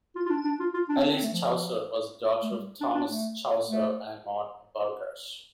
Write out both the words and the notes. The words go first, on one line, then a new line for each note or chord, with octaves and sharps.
Alice Chaucer was a daughter of Thomas Chaucer and Maud Burghersh.
F4
F4
D4
D4
F4
F4
D4
C4
D4
C4
A3
F3
A3
G3
D4
D4
A3
A3